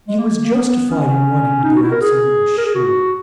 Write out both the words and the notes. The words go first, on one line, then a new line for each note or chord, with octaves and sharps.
He was justified in wanting to be absolutely sure.
G#3
A#3
A#3
B3
C#4
D#4
F#4
E4
A#4
G#4
A#4
G#4
F#4